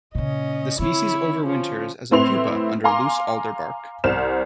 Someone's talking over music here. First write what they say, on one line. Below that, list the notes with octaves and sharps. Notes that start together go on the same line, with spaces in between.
The species overwinters as a pupa under loose alder bark.
A#2 C#3 C#4 D#5
D3 C4 E4 C#5
F3 C#4
A2 C4 E4 B4 C6 F7
F5 G#5 A#5 C6 D6
C2 C5 F6 E7